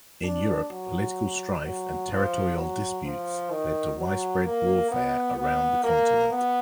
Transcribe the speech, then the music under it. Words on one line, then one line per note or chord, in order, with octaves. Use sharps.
In Europe, political strife and territorial disputes led to widespread warfare around the continent.
D4
F#3
F#3
F3
F#3
F3
D#3
F#3
A#3
B3
B3
A#3
B3